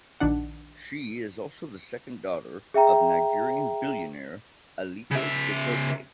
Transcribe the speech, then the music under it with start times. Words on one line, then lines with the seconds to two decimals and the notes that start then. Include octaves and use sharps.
She is also the second daughter of Nigerian billionaire Aliko Dangote.
0.20 A#1 D#3 D4 F#5
2.74 G#4 E5 G5 A#5
5.11 C#3 E5